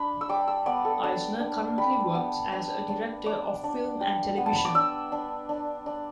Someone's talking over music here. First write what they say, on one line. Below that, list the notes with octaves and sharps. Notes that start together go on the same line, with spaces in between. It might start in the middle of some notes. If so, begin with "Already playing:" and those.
Eisner currently works as a director of film and television.
Already playing: D4 B5
E6
G3 D6
E6
B3 D5
A4
D4 A5
D4
G3 B5
B3
D4
D4
D4 D6
D4
G3
B3
A5
B5
D6
D4 E6
D4
D4
D4